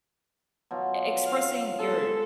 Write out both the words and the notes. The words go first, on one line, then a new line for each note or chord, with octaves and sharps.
e expressing your
B2 F#3 F4
F5
G#3 A4 A5 A#5